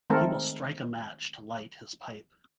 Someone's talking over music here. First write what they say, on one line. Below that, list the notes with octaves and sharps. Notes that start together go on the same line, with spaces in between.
He will strike a match to light his pipe.
D#3 G#3 A3 C4 A4 A#4